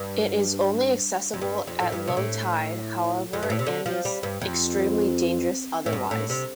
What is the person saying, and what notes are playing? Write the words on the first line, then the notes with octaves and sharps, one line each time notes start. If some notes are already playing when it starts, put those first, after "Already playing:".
It is only accessible at low tide however and is extremely dangerous otherwise.
Already playing: G2
F2
G2
F2
A2
G2
C3
A2
F2
G2
A2
C3
D3
F3
G3
G2
F2
A2
G2
A2
C3